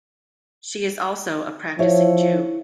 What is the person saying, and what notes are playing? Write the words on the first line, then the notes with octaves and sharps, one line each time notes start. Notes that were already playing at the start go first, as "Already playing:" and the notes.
She is also a practicing Jew.
F3 E4 C#5